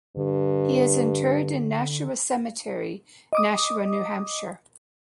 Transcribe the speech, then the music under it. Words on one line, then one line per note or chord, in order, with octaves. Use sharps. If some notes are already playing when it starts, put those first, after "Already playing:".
He is interred in Nashua Cemetery, Nashua, New Hampshire.
G2 D3
D#5 D6 D#6